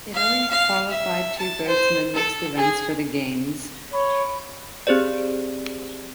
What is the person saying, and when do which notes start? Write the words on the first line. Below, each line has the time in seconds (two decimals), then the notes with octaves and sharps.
Italy qualified two boats in the mixed events for the games.
0.14 F5
0.50 F5
0.89 E5
1.38 A5
1.67 C5
2.14 A4
2.57 G#4
3.93 C#5 B5
4.87 C4 G4 G#4 C5 D5